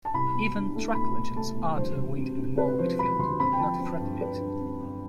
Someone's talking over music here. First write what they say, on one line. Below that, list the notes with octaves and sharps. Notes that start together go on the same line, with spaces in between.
Even track legends Arthur Wint and Mal Whitfield could not threaten it.
A5
C2 B5
B2
D4
A3
B2 B5
B2
A3 A5
B2
E1 C5
E1
C3
C3
C3 B4
F3 C5
E1 B5
D2 C6
C4 B5
G5
F3 A5
C4
G2
G2 B4
G2
C4
G2